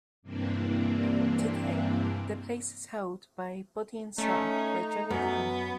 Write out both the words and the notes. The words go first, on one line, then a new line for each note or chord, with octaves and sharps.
Today, the place is held by "Body and Soul" by Johnny Green.
G2 C3 E3 A#3 C4 D4
A3 C#4 D#4
F#2 B3